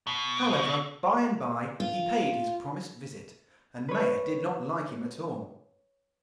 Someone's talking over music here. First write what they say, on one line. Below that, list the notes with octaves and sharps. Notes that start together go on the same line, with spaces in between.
However, by-and-by he paid his promised visit, and Maia did not like him at all.
B2
F4
B4 C#5